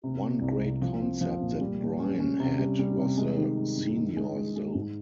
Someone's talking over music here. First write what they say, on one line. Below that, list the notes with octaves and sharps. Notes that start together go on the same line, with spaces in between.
One great concept that Brian had was of the senior zone.
C3
C4
C2
C2
F3
C4
F3
A#2
G3
A#2
C#4
C#4
C3
G3
G3
C3
G#3
D#3
G#3
G2
D#3
G#3
G#3
G#3
G#2